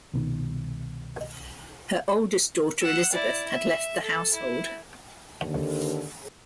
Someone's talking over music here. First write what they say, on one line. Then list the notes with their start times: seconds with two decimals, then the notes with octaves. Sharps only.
Her oldest daughter, Elisabeth, had left the household.
0.14 C2 B2 D#3
2.81 F#5 E6
3.13 E4 D5
3.50 E5
4.03 A4
4.34 E4
5.42 D#2 D3